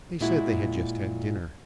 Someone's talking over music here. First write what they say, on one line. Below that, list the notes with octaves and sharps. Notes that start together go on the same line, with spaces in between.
They said they had just had dinner.
A#2 G#3 E4 F#4